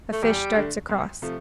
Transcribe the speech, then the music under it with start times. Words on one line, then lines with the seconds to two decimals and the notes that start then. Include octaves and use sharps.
A fish darts across.
0.13 A3
0.22 E2 G3
0.55 D3 A3 D4
0.89 C2
1.22 C3 F3 A3